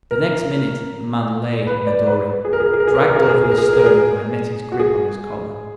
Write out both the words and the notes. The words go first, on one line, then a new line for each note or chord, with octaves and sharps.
The next minute the man lay in the dory, dragged over the stern by Netty's grip on his collar.
A#4
B4
D5
B4
G#4
A#4
G#4
A#4
G#4
A#4
G#4
A#4
G#4
A#4
G#4
A#4
G#4
A#4
G#4
A#4
G#4
A#4
G#4
A#4
G#4
F#4
G#4